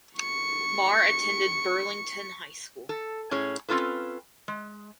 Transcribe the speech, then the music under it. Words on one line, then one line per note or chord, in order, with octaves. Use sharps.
Maher attended Burlington High School.
C#6 C#7
A4
A2 C#4 G#4 C#5
C4 C#4 F4 A4 B4
G#3